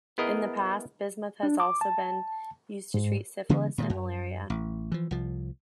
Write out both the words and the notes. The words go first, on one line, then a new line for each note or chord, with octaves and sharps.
In the past, bismuth has also been used to treat syphilis and malaria.
B3 E4 G#4 A#4 D#5
D4
D6
A5
G#2
C#3 E3 G#3 B3
A#2 D#3 G#3
F#2
A1
E3 F3
C2 F3